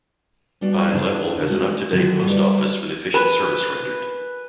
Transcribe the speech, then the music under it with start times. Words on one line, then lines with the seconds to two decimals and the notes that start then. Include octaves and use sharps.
Pine Level has an up-to-date post office with efficient service rendered.
0.61 G3 B3 D4 F#4 D5
0.93 C#3 D4 E4
1.49 G#3 C#4 F#4
1.93 D3 D#3 F#3 F#4
2.25 G3 B4 D5
3.14 B4